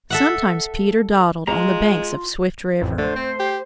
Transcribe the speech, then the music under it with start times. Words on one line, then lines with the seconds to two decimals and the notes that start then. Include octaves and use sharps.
Sometimes Peter dawdled on the banks of Swift River.
0.10 A4 E5 F#5
1.47 G#3 F4 A#5
2.82 A1 F2
2.98 D3 A3 C5
3.15 C4
3.39 G4